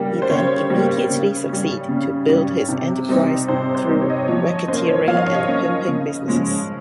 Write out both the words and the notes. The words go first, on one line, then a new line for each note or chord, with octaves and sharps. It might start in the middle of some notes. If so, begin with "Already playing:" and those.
He then immediately succeed to build his enterprise through racketeering and pimping businesses.
Already playing: C#3 G3 A#3 G5
C5
C#3 C#5
G3 A#3
C#3
G3 C#4
C#3
G3 C#4
C3
G3 C4 D#4
C3 C5
C5
G3 C4 D#4
C#5
D#5
C#5
F3 C#5
D#5
A#3 C#4 C5
C#5
F3 F5
D#5
C#5
D#5
A#3 C#4
C#3
F3 G#3 C#4